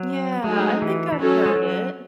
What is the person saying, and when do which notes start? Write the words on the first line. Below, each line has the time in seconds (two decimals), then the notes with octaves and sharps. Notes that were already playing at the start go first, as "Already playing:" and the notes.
Yeah, I think I've heard it.
Already playing: F#3
0.44 F#3 G#3 A3 D#4 G#4
0.82 E3
1.12 E3
1.19 F#3 C#4 F#4 A4
1.46 G#3
1.56 F#3